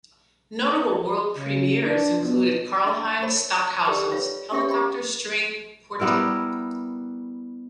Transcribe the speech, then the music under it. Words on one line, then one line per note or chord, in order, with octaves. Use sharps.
Notable world premieres included Karlheinz Stockhausen's "Helicopter String Quartet".
C#3
D4
B2
D4 D#5 F#5 A5
A#4 C5 C#5 B5
G4 A4 A#4 D5 F#5 G5
F4 B4 C#5 F5
C#4 G4 C#5 E5 G5 B5
G4 B5
G3 B3 E4 A#4